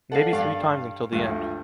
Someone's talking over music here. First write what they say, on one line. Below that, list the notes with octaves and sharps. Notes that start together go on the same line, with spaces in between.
Maybe three times until the end.
A4 D5 F5 F#5
G2 D5 F5
D2 G2 F4